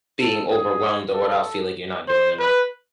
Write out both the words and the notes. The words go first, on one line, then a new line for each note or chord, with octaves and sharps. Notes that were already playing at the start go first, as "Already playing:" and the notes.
being overwhelmed or without feeling, like, you're not doing enough.
A4
G#4
A4
C5
B4